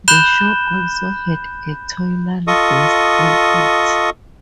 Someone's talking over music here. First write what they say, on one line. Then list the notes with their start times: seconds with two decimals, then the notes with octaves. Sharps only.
The show also had a toyline based on it.
0.08 B5 F#6 G6 E7 G7
2.47 F4 A4 D#5 C#6 D#6